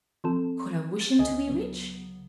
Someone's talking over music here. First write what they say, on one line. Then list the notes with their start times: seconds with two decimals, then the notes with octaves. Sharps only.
Could I wish him to be rich?
0.24 F3 C4 A4
1.01 A6
1.19 C#2 D#5 G#5
1.48 C#3 F#3 B3